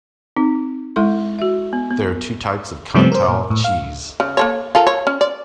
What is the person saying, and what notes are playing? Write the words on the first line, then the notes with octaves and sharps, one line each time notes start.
There are two types of Cantal cheese.
C4 D#4
G#3 E4 A4 E5 C6
F#4 E5
B3
B3
C3 F3 G3 A3 B3 C4
A#4 C5
A#2
A2
F5
C#3
A#3 A4 C#5
F4 A4 A#4
C#5
C#4
D5